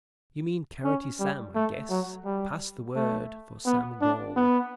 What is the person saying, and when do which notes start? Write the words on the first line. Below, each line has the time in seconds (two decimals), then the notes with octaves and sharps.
"You mean carroty Sam, I guess--pass the word for Sam Gall."
0.84 C#4
1.20 G3
1.55 A3
1.90 F#3
2.25 G3
2.96 A3
3.66 B3
4.02 D4
4.37 B3